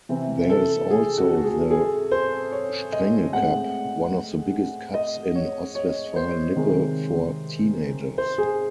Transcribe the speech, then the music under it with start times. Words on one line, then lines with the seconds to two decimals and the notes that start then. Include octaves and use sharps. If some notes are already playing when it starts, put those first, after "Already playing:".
There is also the Strenge-Cup, one of the biggest cups in Ostwestfalen-Lippe for teenagers.
0.09 C3 E3 C4
0.49 A4
0.91 G#4
1.18 F#4
1.35 F#4
1.44 G#4
1.71 G#4
2.11 C5
2.52 C#5
2.92 D#5
3.32 A2 G#3 C4 F#5
4.94 D#5
5.35 C#5
5.75 C#5
6.16 C5
6.56 C3 D#3 G#3 C4
8.18 C5
8.38 G#4